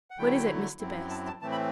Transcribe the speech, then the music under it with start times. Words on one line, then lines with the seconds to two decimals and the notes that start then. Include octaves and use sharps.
"What is it, Mr. Best?"
0.11 F#5
0.18 D3 F#3 A3 E4 G5
0.79 F#2 F#3 C4 E4
1.10 A5
1.27 A5
1.42 A2 E3 A3 C4 A5
1.52 B5